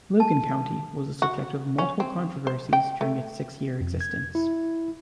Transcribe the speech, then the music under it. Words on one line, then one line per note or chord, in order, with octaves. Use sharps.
Logan County was the subject of multiple controversies during its six-year existence.
A5
F#4
C#4
C4
C5
G5
A3
F2
G#6
E4